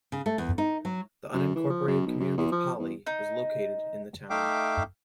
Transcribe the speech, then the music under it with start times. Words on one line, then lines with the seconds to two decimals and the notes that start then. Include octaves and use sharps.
The unincorporated community of Polley is located in the town.
0.12 C#3
0.26 A3
0.38 E2
0.58 D#4
0.85 F#3
1.34 F#2
1.55 E3
1.69 F3
1.88 F#2
2.06 B1
2.20 F#2
2.38 E2
2.52 F3
2.79 E2
3.07 D#4
4.30 A3 D#4 E5 F5 G5 D6